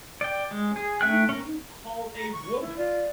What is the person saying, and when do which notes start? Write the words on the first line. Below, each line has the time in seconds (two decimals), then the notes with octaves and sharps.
'But who do you call a woman?
0.21 D5 G5
0.51 G#3
0.76 G#4
1.01 A3 E5 G5 F#6
1.29 C#4 A#4
2.13 A#5
2.33 C#6
2.61 E4
2.77 F4 D5